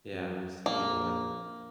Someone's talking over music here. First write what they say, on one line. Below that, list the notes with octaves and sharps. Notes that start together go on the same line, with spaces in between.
Yes, the, uh
F#2
A#1 A#3